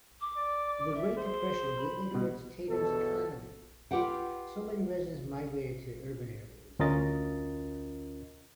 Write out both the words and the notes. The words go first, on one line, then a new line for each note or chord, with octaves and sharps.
The Great Depression greatly hurt Tatums' economy, so many residents migrated to urban areas.
D6
D5
E5
G#4 C5
B5
B2 G3
E2 B2 A4
F4 G4 B4 F#5 G5
D2 C#4 F4 A#4 D#5 A6